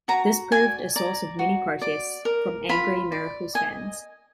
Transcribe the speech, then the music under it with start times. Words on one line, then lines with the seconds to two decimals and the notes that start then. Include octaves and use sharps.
This proved a source of many protests from angry Miracles fans.
0.08 F#4 A#5
0.52 D5 G#5
0.96 D5 A#5
1.39 F#4
1.82 D5
2.25 A#4
2.69 F4 B5
3.12 D5
3.55 D#5 G#5